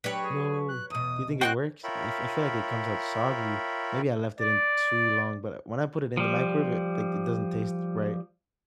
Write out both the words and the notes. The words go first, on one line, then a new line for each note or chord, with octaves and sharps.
No, do you think it works, I f I feel like it comes out soggy, maybe I left it in too long, but when I put it in the microwave, like, it doesn't taste right.
F#3 D4 G4 B4 C#5
G#4
F#6
E2 B2 D#6
C4 F#4 D#5 G5 C#6 F#6
F4 A#4 C#5 E5 G5 B5
D5
F3 G3